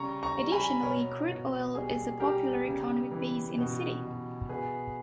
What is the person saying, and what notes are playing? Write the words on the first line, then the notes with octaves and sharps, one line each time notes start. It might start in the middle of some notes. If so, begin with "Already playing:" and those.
Additionally, crude oil is a popular economic base in the city.
Already playing: C#3 G3 A#5 C#6
A#5 C#6
G3
G#5 B5
B2 A#4 C#5
B2
G3 G#4
G3 G4 A#4
C#3
E3
B2
B2
B2 G#4 B4